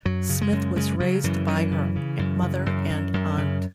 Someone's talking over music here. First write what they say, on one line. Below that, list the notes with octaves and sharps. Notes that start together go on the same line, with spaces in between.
Smith was raised by her mother and aunt.
F#2 F#3
C#3
G#3
F#2
C#3 G#3
C#3 F#3
F#2 E3
F#2 E3
C#3
C#3
F#2
C#3
F#2
F#2
F#2
C#3